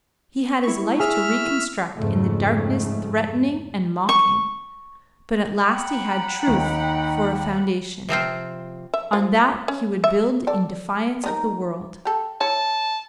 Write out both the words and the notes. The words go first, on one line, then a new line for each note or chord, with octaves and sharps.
He had his life to reconstruct in the darkness threatening and mocking; but at last he had truth for a foundation; on that he would build in defiance of the world.
E4 C#6
G#4 E5 F6
F2 G#2 C#3 A3
C#6
F#5 G5 A#5 B5
D#2 D#4
C3 F3 C4 F4
E5
F3
C#4
E5
A4 D5
B3 D#4 A#4
G4 A4
E4 C#5 A5